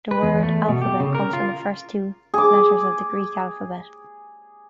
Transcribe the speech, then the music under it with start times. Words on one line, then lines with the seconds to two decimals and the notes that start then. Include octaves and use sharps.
The word "alphabet" comes from the first two letters of the Greek alphabet.
0.11 B4
0.23 E2
0.43 A3
0.69 B2
0.82 G4
1.00 C#3
1.15 A#4
1.33 F4
2.34 G#4 D6